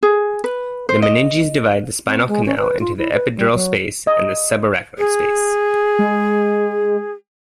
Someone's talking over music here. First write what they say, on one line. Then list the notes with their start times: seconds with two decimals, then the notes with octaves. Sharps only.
The meninges divide the spinal canal into the epidural space and the subarachnoid space.
0.03 G#4
0.44 B4
0.89 C5
1.02 D#5
2.06 C4
2.28 G#3
2.46 C#4
2.58 B4
2.80 F4
2.97 E4
3.13 B4
3.36 G3
3.54 F#3
4.07 D#5
4.98 G#4
5.99 G#3